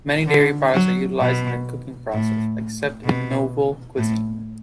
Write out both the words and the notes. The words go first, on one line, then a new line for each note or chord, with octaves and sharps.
Many dairy products are utilized in the cooking process, except in nouvelle cuisine.
D3
F#3
B2
A2
B2
A2